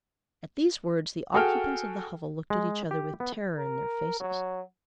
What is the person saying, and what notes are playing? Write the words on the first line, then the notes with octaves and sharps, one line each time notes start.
At these words the occupants of the hovel looked at each other with terror in their faces.
F#4 G#4 A4 G5 F6
G#3
G4
B3
A#4
F#3